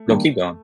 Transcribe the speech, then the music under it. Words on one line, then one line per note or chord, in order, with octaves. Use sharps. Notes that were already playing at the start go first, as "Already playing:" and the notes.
No, keep going.
Already playing: A3
D#3 G3 A#3 D4